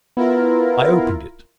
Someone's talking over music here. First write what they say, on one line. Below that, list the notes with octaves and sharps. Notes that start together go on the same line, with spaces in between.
I opened it.
B3 E4 F4 A#4